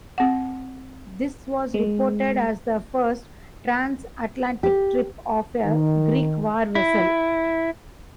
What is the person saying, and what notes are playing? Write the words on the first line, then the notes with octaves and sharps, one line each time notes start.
This was reported as the first transatlantic trip of a Greek war vessel.
C4 F#5
G#3
G4
D#3
E4